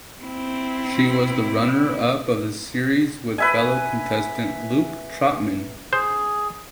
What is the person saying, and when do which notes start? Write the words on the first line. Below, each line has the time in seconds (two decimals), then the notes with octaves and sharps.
She was the runner up of the series with fellow contestant Luke Trotman.
0.23 C4 E4
3.38 B4 E5 G#5
5.93 G#4 C5